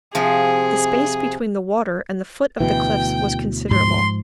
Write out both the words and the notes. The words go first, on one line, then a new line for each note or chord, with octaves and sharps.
The space between the water and the foot of the cliffs was considerable.
C3 F3 G#4
D2 B2 E3 G5
G#2 F3 C6